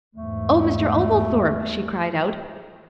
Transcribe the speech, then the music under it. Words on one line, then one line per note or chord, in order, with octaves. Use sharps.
"Oh, Mr. Oglethorpe!" she cried out.
E2 G#2 A3